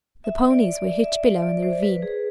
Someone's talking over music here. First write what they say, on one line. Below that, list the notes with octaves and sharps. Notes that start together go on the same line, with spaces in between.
The ponies were hitched below in the ravine.
E5
D5
D5
E5
D5
D5
C5
B4
G#4